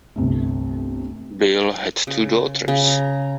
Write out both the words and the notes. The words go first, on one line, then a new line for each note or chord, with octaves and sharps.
Bill had two daughters.
G1 C2 A3
C#3
C#3
A#5